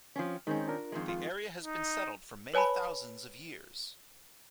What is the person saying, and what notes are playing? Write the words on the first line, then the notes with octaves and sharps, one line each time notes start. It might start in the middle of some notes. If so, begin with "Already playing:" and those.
The area has been settled for many thousands of years.
F3 C4 C#4
D#3 G#3 C4 C#4 D#4 A#4
D4 F4 A#4
F2 D#3 G#3
F4
D#4
B4 C#5 G#5 A5 B5